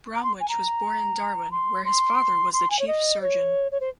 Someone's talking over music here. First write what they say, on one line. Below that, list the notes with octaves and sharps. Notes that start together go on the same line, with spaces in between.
Bromwich was born in Darwin where his father was the Chief Surgeon.
A#5
C6
G#5
A#5
C6
C6
C6
G#5
C#5
D#5
C#5
C#5
C5